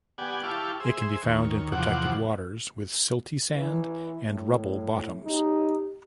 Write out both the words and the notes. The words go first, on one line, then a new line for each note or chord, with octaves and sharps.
It can be found in protected waters with silty sand and rubble bottoms.
B3 G4 D5 F#5 G#5
E4 G4 F5 A5 C#6 D6
G#4 C5 E5
D#2 C#5
E2 C3 F3 F#4 F#5 D6
E3
A2
D#4 G4